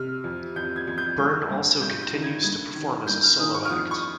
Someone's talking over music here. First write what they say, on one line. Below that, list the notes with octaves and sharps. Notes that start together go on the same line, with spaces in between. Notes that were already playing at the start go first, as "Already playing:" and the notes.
Byrne also continues to perform as a solo act.
Already playing: C3 F6
F2
F2 G6
G#6
F2
G6
G2 G6
G2
G2 G6
G6
D#3
G#6
G2 G#6
D#3
G2 G6
F6
D#3 D#6
C#6
F6
F2 D#6
C#6